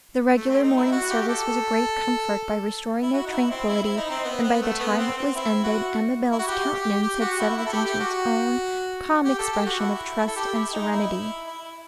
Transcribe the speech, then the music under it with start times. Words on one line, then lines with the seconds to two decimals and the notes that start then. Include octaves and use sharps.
The regular morning service was a great comfort, by restoring their tranquillity, and by the time it was ended, Amabel's countenance had settled into its own calm expression of trust and serenity.
0.36 A3
0.49 C4
0.63 D#4
0.77 E4
0.91 F#4
1.10 G4
1.21 G4
1.28 A4
3.02 E4
3.13 F#4
3.26 D#4
3.32 E4
3.51 C4
3.69 E4
3.83 E4
3.97 D#4
4.10 C4
4.25 B3
4.43 B3
4.62 A3
4.80 B3
4.99 C4
5.18 C4
5.35 E4
5.64 F#4
6.32 E4
6.39 F#4
6.47 G4
6.75 G4
7.03 G4
7.21 F#4
7.40 E4
7.57 E4
7.66 A4
7.72 G4
7.86 G4
8.00 F#4
9.25 G4
9.39 A4
9.52 G4
9.66 F#4
9.80 E4
10.27 A4
10.36 G4
10.54 E4
10.73 D#4
10.92 E4
11.47 E4